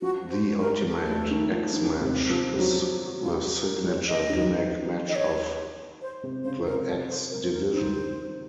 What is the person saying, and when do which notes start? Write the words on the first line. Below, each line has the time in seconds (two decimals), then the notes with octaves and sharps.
The Ultimate X match is the signature gimmick match of the X Division.
0.01 F3 F#4
0.30 C5
0.59 A#4
0.88 A4
1.08 A3
1.31 D#3
1.51 F3
1.73 D#3
2.02 C3
2.30 F3
2.58 F#3 F#4
2.80 F4
3.02 F#4
3.22 F4
3.44 F#4
3.61 A4
3.66 A#4
3.87 C#5
4.08 D#5
4.30 D#3
5.09 D#5
5.15 C#5
6.02 C5
6.24 C3
6.44 C#3 C5
6.66 C3 A#4
6.87 A4
7.09 C5
7.30 A#4
7.42 C5
7.52 A#4
7.73 D#3 C5